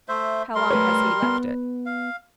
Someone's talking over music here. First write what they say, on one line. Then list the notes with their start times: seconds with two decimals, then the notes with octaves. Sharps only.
"How long has he left it?"
0.08 A3 C5 E5
0.55 G3 A#4 C6
0.71 A3 B4 C#5
1.22 B3
1.86 F5